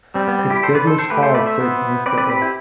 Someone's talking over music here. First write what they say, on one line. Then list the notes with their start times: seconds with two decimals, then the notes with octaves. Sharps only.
"It's devilish hard," said Mr. S..
0.15 G3 C4
0.28 B3
0.39 C4
0.50 E4 G4
0.63 A4 C5
0.74 B4 D5
0.87 A4 C5
0.98 A4 C5
1.10 A3 G4 B4
1.22 A4 C5
1.34 B4 D5
1.46 C5 E5
1.59 B3
2.06 C4 B4 D5
2.18 B4 D5
2.29 G4 B4
2.42 E4 G4